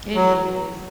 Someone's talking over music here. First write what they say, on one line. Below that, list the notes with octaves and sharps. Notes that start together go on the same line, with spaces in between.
It is.
F#3